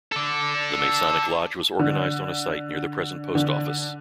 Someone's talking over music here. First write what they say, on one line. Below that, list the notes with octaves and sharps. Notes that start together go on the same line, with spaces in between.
The Masonic lodge was organized on a site near the present post office.
A4 D5
D3
D3